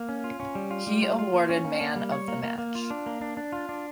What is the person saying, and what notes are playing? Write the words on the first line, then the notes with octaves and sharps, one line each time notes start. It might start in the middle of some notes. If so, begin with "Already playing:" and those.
He awarded man of the match.
Already playing: A#3
C#4
F4
C#4
G3
F4
G3
F4
F4
A#3
C#4
A#3
A#3
G3
C#5
A#3
A#3
A#3
F4
D4
A#3
D4
D4
F4
D4